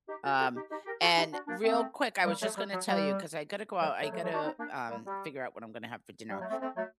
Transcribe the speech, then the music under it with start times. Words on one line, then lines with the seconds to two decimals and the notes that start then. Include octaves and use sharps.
Um, and real quick, I was just gonna tell you, 'cause I gotta go out, I gotta, um, figure out what I'm gonna have for dinner.
0.08 D#4 G4
0.24 F#4 A4
0.39 F#4 A4
0.55 D#4 G4
0.70 D#4 G4
0.86 G4 A#4
1.01 F#4 A4
1.17 D#4 G4
1.33 D4 F#4
1.47 A#3 D4
1.64 A3 C4
2.25 G3 A#3
2.41 F#3 A3
2.56 G3
2.72 F#3
2.88 G3
3.81 F#3 A3
4.01 F#3 A3
4.12 F#3 A3
4.22 F#3 A3
4.33 D4 F#4
4.43 C4 D#4
4.58 A#3 D4
4.89 G3 A#3
5.06 G3
6.29 G3
6.40 F#3 A3
6.50 A3 C4
6.61 A3 C4
6.76 F#3 A3